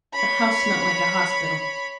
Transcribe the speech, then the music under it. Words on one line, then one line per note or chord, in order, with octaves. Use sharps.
The house smelt like a hospital.
C#5 B5